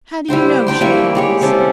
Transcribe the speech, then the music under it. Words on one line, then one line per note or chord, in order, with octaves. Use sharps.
"How do you know she has?"
G3 E4 C5 G5
D4 C5 G5 C6
G3 A#3 E4 C#6
G#3 G4 C#5
C3 G3 C#4 A4